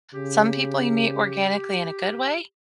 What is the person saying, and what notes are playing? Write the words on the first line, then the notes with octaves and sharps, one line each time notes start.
some people you meet organically in a good way,
C#3 G4